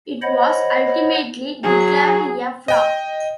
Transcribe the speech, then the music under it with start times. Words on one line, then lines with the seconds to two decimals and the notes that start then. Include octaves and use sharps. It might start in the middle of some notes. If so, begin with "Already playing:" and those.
It was ultimately declared a flop.
0.22 C5 C#5 D#5 F#5 B5
1.63 F#3 G#4
2.68 D#5 G5